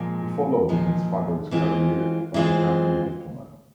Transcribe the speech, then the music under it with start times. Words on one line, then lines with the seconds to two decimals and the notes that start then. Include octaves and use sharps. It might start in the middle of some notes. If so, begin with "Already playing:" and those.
He followed in his father's career by becoming a diplomat.
Already playing: A#2 F3 G#3
0.69 A#2 F3 G#3
1.51 E3 G#3 C4 F4
2.34 E3 G#3 C4 F4